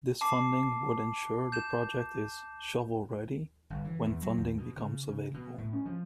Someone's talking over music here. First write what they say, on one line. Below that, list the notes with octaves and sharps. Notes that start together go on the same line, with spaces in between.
This funding would ensure the project is "shovel ready" when funding becomes available.
A5 D6 C7
G6 E7
G1
E3
E2
F#3
D#2
B2
C#3
C#3
B2
A2
C#4
F3